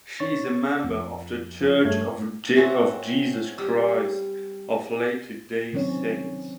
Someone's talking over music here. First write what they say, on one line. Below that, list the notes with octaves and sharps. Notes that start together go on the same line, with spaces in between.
She is a member of The Church of Jesus Christ of Latter-day Saints.
C#5 C#6 A6
F2 F3
F3
G2 A3 C#5 G#6
F#3 C4 C#4 E5
G3
D#3 F#3 C4 C#4 C#5